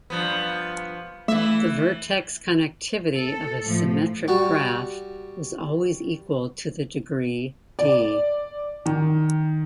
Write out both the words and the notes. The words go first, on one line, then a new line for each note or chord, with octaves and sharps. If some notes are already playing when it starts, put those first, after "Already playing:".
The vertex-connectivity of a symmetric graph is always equal to the degree "d".
G2 F3 B3
E3 A3 E5
A4
A2 F3
G3 F#4
D5
D#3